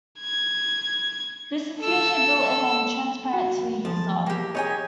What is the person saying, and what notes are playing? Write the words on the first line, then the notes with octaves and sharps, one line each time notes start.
This is usually built in and transparent to the user.
G#6
A4 E6
F#4
E2 F3 A5
A#3 G4
D#4 G4 G#4 C#5 G#5